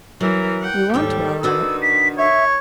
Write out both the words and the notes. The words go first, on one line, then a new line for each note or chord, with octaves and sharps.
We won't dwell on it.
E3 F#3 A#4
F#5 G5
D#2 G#2 G3 A4 G5
D#3 D4 F#4 B4 E6
B6
C#5 E5